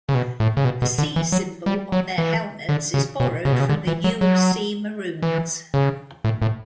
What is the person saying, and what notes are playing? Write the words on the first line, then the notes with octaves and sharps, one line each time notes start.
The "C" symbol on their helmets is borrowed from the U of C Maroons.
C#3
B2
A2
C#3
B2
B2
D3
E3
F#3
G3
F#3
E3
D3
C#3
B2
C#3
B2
C#3
D3
E3
F#3
F#3
E3
C#3
A2
A2